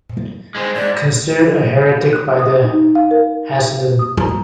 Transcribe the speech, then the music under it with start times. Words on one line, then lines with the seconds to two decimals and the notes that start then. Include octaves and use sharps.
Considered a heretic by the Hasidim.
0.56 G#3 C4
0.76 G#2 D5
2.13 F#6
2.40 D#6
2.64 D#4
2.95 F5
3.11 A#4
3.99 D#6
4.21 A#5